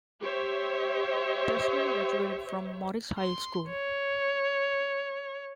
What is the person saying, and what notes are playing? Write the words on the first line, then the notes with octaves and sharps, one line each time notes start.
Pressman graduated from Morris High School.
G4 C5 C#5 E5
C6
C#5